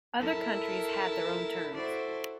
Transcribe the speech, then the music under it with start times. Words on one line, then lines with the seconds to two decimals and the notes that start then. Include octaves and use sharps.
Other countries had their own terms.
0.21 E4 A4 A#4 A5 B5
1.73 E4 F#4 A4 C5 D5